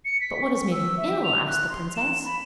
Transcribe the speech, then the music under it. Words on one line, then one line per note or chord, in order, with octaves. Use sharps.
'But what has made him ill?' asked the princess.
C#7
B6
C#6
E6
E5
F7
F#6
C6
E7
B5